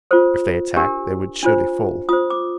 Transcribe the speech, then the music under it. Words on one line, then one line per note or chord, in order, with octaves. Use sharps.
If they attacked they would surely fall.
F4 A4 C5
D4 G4 A#4
D4 F4 C5
F4 C5 D#6
D6